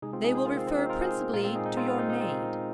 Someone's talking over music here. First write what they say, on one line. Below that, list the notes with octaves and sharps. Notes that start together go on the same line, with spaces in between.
"They will refer principally to your maid."
C3 G#3 D#4 G#4
C4 F4
D#4 G#4
G#4 C5
F4 A#4
C4 F4
C4
D#4
F4 A#4
G#4 C5
A#2 G#3 F4 A#4
C4 F4
D#4 G#4
D#4
C4 F4
F4 A#4
D#4
D#4
C4 F4